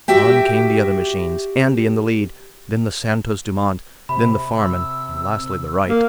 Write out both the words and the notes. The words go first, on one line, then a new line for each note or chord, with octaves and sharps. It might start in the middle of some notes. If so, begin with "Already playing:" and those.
On came the other machines, Andy in the lead, then the Santos-Dumont, then the Farman, and lastly the Wright.
F#4 G4 E5 G5
C3 B5
E6
A#3